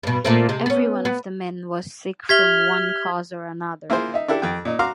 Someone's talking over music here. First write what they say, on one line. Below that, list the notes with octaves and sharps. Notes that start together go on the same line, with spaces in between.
Every one of the men was sick from one cause or another.
G2 B2
A#2 A3 C4
C3 G#3
B3 C#4
B3
G4 E5 F6 G#6 B6 G7
A#3 E4 F4 G#4 C5
D#4 E5
D4 E4 G4 A4
F2 G5
A#2 D#4
F#4 F5 A#5 C6 D6 F6